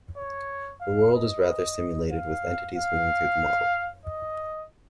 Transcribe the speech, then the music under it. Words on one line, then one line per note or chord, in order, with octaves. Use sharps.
The world is rather simulated with entities moving through the model.
C#5
F5
D#5
F5
F5
D#5